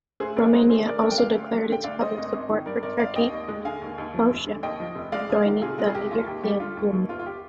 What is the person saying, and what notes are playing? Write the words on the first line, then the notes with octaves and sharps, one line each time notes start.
Romania also declared its public support for Turkey and Croatia joining the European Union.
D2 G#4 C5
D2 A#4 D5
G#3 C5 D#5
D3 G#4 C5
D2 A#4 D5
D2 A#4 D5
G5
D2 D5 F5
D2
G3
D3 G5
D2 D5 F5
D2 C5 D#5
G#1
G#1
D#3
G2 A#4 D5
G#1 A#4 D5
G#1 D5 F5
D#2 D#5 G5
D#2
G#3
D3 F5 G#5
D#2
D#2
F3
F1
D3
D#2 D#5 G5
F3
F1
G#3 D5 F5
C2
D#3
C3 F4 G#4
G#3 F4
G#4
C2 G4
D#2 F4
D#2 G4
G3 G4
D3 F4
D#2
D#2
G1 F4
F4
G4